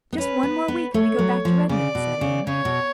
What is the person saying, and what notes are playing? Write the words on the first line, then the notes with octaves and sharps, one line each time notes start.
"Just one more week and we go back to Redmond," said Anne.
B3
C#4 B4
B3
B3
A3 C#5
F#3
F3
C#3 D5
B2
C#3
C#3 C#5
B2